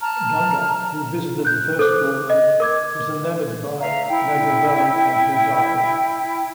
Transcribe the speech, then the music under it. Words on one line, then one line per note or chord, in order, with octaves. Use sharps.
Ganga who visited the first floor room was enamoured by Nagavalli and her diary.
A5 A#5 F6
F#6 G6
A4 C5 D6 F#6
D#5
A#4 D6 G#6
E5 F5 A#5
E4 G5